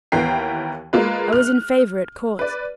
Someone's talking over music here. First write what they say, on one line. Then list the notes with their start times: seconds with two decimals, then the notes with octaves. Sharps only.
I was in favour at Court.
0.12 D#2 E3 B3 A#4 G5 C7
0.93 G#3 A#3 F4 B4
1.32 F6 F#6
2.39 B4 D5